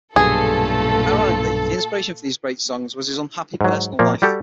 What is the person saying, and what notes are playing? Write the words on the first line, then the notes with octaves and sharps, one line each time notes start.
Ironically, the inspiration for these great songs was his unhappy personal life.
B1 G2 A#2 A3 F4 G#4 A4
G#2 F#3
A#2 F3 A#3
G3 F#4 G4 A4